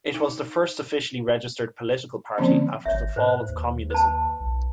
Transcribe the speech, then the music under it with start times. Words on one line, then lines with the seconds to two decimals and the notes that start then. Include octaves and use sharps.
It was the first officially registered political party after the fall of Communism.
0.14 D#4
2.38 D3 F3 A#3 C4 C#4
2.86 G#1 C#5 E5
3.16 G#2 B4 C5
3.49 D#2
3.90 B4 A5
4.40 B1